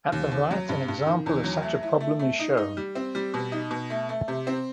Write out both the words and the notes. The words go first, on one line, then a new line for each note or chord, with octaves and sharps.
At the right an example of such a problem is shown.
D#2
D#2
F#3
G2
G2
D#3
E2
F#3
A3
E4
A3
A3
D#4
D#4
G3
C4
G3
B2
D#4
B2
A3
A3
C3
C4